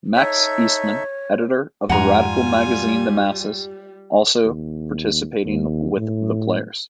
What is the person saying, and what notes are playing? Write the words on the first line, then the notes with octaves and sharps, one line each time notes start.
Max Eastman, editor of the radical magazine The Masses, also participating with the Players.
D#4 A4 C#5 E5
F2 G#2 G3 F4 F#5 G#5 A#5
D#2
D#2
A2